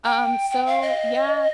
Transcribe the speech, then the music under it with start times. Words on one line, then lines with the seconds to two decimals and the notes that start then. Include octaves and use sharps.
Um, so yeah,
0.05 G5
0.50 G5
0.66 F5
0.81 D#5